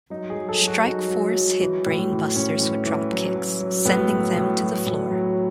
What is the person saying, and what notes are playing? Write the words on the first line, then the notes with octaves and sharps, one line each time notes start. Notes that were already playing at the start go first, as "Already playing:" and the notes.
Strike Force hit Brain Busters with dropkicks, sending them to the floor.
F#3 D#4
G#4
F#3
A4
F#3
F#4
F#3 D#4
F#3
F#3
E3
A2
E3
A2 C#4
E3
E3
F#3
F#3
F#3
A2 B3
F#3
A2
F#3
A2
F#3